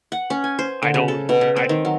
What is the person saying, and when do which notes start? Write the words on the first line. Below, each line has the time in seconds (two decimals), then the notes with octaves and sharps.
I know, I
0.12 F#5
0.30 C#4
0.44 G#5
0.59 C5
0.82 D3
0.94 C#3
1.08 A4
1.29 B2
1.41 C#3
1.56 C4
1.69 D#3
1.85 F#3